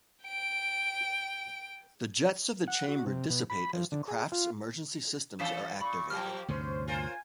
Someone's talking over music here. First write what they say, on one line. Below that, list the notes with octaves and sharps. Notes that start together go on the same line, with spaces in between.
The jets of the chamber dissipate as the craft's emergency systems are activated.
G5 D7
F#5
F#4
C3
B2
B5
F3
D3
G#4
F4
E3 C#4 A4 F5 B6 E7
A#2 B5 C#6
F3 F#3 A#3 G4 F6
D2 G2 C3 C#4 C5
F4 A#4 C5 G#5